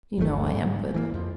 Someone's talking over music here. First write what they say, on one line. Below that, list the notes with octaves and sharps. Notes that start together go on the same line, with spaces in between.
You know I am good.
G1 D2 A#2 A3
G#2
E3 A3 A#3
F2 F3